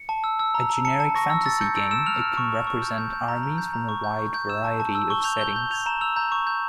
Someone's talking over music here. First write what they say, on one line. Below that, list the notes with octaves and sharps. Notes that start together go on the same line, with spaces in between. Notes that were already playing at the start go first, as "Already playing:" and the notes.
A generic fantasy game, it can represent armies from a wide variety of settings.
Already playing: C#7
A5
E6
E6
A#5
A#5
A5 C#7
A5
C#6 A#6
E6
E6 A6
G6 C#7
E6 D7
E6 E7
F6 F7
F6
C#6
C#6
C#6
G6
G6
G6
A#5
A#5
G6
A#5
C#6
G6
C#6
G6
E6 E7
A5
A5
E6
C#6 G7
G6 F7
G6 G7
G6
G6 F7
A#5 E7
E6 F7
A#5 G6
C#6
G6